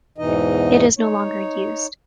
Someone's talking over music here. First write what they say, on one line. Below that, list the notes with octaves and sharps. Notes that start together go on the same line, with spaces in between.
It is no longer used.
E2 G#2 B2 E3 D#4 D#5
D#4 C#5